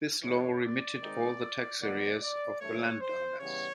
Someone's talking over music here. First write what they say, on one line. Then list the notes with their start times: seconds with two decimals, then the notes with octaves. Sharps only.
This law remitted all the tax arrears of the landowners.
0.22 E3 G#3 B3 D4 C#5
0.62 D5
1.01 D#3 G#3 C4 D#4
1.81 D#3 F#3 B3 D5
2.21 D5
2.60 G2 E3 A3 C#5
3.01 C5
3.40 C#3 E3 G3 B3 C#5